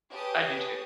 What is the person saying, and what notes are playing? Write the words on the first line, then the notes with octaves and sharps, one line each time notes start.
I do too.
G4 G#4 B4 C#5 A5 D#6